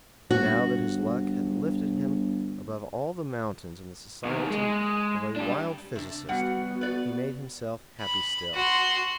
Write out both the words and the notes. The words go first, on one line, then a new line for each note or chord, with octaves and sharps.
And now that his luck had lifted him above all the mountains in the society of a wild physicist, he made himself happy still.
G1 F#4
E2 D#3
G#3
D4 G4
C3 D4
G3 B3 F#4 F#5
B4 D5
B5
F#4 C6